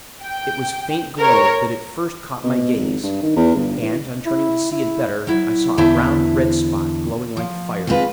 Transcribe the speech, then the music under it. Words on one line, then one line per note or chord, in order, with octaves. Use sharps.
It was faint glow that at first caught my gaze; and, on turning to see it better, I saw a round red spot glowing like fire.
G5
A#4 C#5
B2
G#1
G2
D#3
E2
G1
E3
E4
E4
F#3 E4
E2 D3 E4 C5 E5 A5
F3
D#3 G#3 C4 F4 B4